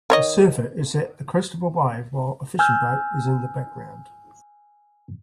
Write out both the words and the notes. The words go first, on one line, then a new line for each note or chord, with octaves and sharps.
A surfer is at the crest of a wave while a fishing boat is in the background.
D#3 C#5 D#5
G#5 E6 F6 G6